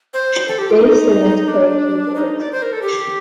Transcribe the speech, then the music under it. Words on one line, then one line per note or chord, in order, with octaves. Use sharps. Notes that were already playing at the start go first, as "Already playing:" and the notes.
Dave Simmons played keyboards.
C5
A4
G4
F4
D#4
D4
D#4
D5
C5
A#4
A4
G4